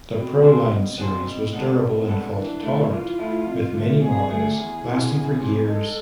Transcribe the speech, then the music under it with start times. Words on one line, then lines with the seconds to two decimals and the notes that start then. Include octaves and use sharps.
The Pro-Line series was durable and fault-tolerant, with many models lasting for years.
0.15 B2 C4
0.42 B3 D4 G#4 C5
0.70 B2 C4
0.98 B3 D4 G#4 C5
1.26 B2
1.53 G#3 B3 D4 A4
1.80 B2
2.08 G#3 B3 D4 A4
2.36 E3 D4
2.63 A3 E4 A4
2.91 E3 F4
3.19 A3 E4 A4
3.46 F2
3.74 D3 A3
4.01 F2 G#4
4.29 D3 A3
4.57 E2 G#4
4.84 C3 E3
5.12 E2
5.40 C3 E3
5.67 G#3 A4